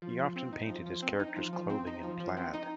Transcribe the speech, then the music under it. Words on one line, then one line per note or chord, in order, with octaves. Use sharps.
He often painted his character's clothing in plaid.
F3
F3
C4
D#4
F3
F3
C4
D#4
F3
F3
C4
D#4
F3
F3
C4
D#4